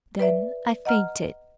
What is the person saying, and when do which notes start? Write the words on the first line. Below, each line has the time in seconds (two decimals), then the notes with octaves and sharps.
Then I fainted.
0.19 B4 D5 E5
0.85 D#5 F#5 A#5 F6